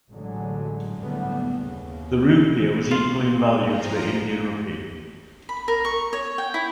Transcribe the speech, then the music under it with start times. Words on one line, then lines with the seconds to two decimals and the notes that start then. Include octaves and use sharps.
The rupia was equal in value to the Indian rupee.
0.11 A1 A2 D3 F#3 G#3
1.00 F#1 A2 D3 G3 A3 B3
1.59 D#2 C#3
2.91 F4
3.61 F3 F4 A#5
5.49 B5
5.68 A#4
5.85 C#6
6.13 C#5
6.38 G5
6.54 E4